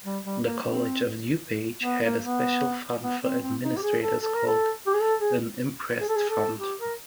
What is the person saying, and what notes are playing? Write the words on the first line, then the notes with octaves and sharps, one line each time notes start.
The College of DuPage had a special fund for administrators called an imprest fund.
G3
G3
A#3
C4
B3
A#3
B3
B3
C4
C4
D#4
G4
G#4
A4
A4
A#4
A4
G4
G#4
A4
G#4
G#4
A4
G#4
A4
G4
A#4